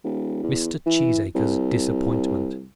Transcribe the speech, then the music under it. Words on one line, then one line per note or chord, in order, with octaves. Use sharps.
Mr. Cheesacre's Disappointment.
D#1
E2
E3
C2